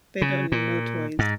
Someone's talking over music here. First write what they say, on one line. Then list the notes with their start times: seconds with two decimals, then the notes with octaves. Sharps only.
They don't no toys.
0.22 C#3
0.52 A#2
1.19 G#2